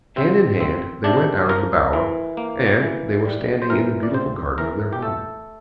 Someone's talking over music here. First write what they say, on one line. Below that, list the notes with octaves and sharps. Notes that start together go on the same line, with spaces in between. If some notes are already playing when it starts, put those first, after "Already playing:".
Hand in hand they went out of the bower, and they were standing in the beautiful garden of their home.
C3 C4
C4
C3 D4
F3 A#4
E3
A#3
E3
G3
C5
E3 A#4
D5
C4 C5
E3 A#4
G4
A3 A4